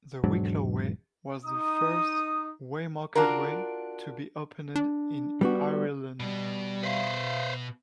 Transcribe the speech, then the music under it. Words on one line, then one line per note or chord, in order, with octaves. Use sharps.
The Wicklow Way was the first waymarked way to be opened in Ireland.
E1 G#2 F#3 D4
D#4 D#6
D4 F4 F#4 A#4
D4
G3 B3 F#4
B2 G3
B4 C5 E5 F5